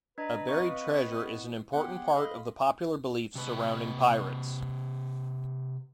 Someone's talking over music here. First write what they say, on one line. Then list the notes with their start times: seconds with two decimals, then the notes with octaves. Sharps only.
A buried treasure is an important part of the popular beliefs surrounding pirates.
0.18 D4 B4 D#5 A#5
0.49 B3 C4 D#5 F5 C#6
1.18 E4
1.73 B3 G4 G#4 F#5 C6
2.15 A4 D#5 F5 B5 C6
3.35 C3 B4